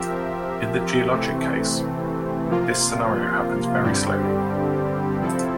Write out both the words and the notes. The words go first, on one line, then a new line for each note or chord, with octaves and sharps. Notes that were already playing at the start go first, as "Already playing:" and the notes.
In the geologic case, this scenario happens very slowly.
Already playing: F3 C4 G4 A#4 E5
C3 E3 A3 C4
C3 F3 A#3 F4
G2 D3 G3 C4 G4
C3 F3 C4 E4 A4